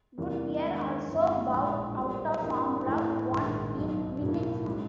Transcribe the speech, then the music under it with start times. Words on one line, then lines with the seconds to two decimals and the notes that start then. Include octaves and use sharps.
Goodyear also bowed out of Formula One in winning form.
0.18 E2 C3 E3 G3 A#3
0.62 G2 D#3 G#3 B3 D4
1.08 G1 G2 E3 G#3 C4
1.52 A#1 A2 F3 G#3
1.97 A#2 G3 B3
2.41 G2 E3 G3 A#3
2.86 A2 E3 A3
3.31 A#1 G#2 D#3
3.76 B1 B2 F#3
4.21 B1 A2 F#3 A#3
4.66 F3 G#3 C#4